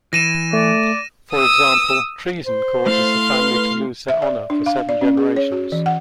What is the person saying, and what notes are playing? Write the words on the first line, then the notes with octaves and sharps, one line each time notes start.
For example, treason causes the family to lose their honor for seven generations.
E3 A#6 D#7 E7
A3 D5
D#6 E6
C5
A3 E4 A4 F5 C6
B4
E5
D5
D4
F5
D5
C#4
G#4
C#5
F#4
E3
F#5